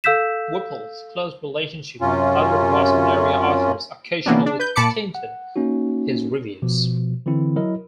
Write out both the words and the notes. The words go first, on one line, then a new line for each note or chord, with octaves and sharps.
Whipple's close relationship with other Boston-area authors occasionally tinted his reviews.
A4 F5 E6 G6 B6 E7
F#2 C3 C#4 F4
C3 E3 A#3 B3 C#4 D4
D4
B4 G6
A#2 A5 B5 D6 C#7
F#5
A#3 C#4 D#4 F#4
B2 F3
D3 E3 C4 E4
F#3 E4 A#4 D#5